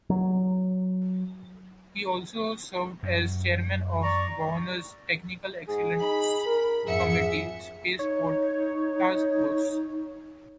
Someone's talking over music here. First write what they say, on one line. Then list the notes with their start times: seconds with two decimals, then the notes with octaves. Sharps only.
He also served as Chairman of the Governor's Technical Excellence Committee Spaceport Task Force.
0.10 F#3
3.03 F#2
4.03 D5 A#5 C#6
5.68 G#2 G#4
6.01 D#4 B5
6.46 A#4
6.84 F2 G#2 G#4 E5 C#7
7.99 D#4 C#5